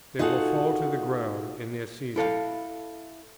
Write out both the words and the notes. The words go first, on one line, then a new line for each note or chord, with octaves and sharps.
They will fall to the ground in their season.
D#4 F4 F#4 G#4 A4 F#5
E4 A4 F5